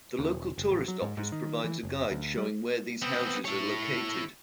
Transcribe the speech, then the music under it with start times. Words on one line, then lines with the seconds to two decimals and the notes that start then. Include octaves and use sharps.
The local tourist office provides a guide showing where these houses are located.
0.19 D#2
0.33 E1
0.58 F#1
0.70 A1
0.88 F#3
1.02 G#2
1.17 G#2
1.32 D#3
1.64 E3
1.83 F#1
2.10 D2
2.37 G3
3.02 B3 C4
3.45 E4 C#5